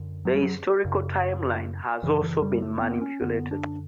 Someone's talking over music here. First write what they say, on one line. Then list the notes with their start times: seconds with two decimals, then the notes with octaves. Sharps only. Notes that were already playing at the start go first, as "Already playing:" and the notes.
The historical timeline has also been manipulated.
Already playing: F#2 D3
0.25 F#3
0.34 G3
0.43 F#3
0.85 F#2 C#3
2.03 F#2 C#3 E3
2.23 E3
2.42 G3
2.62 A3
2.81 B3
3.01 C#4
3.21 F#2 D3 B3
3.51 D4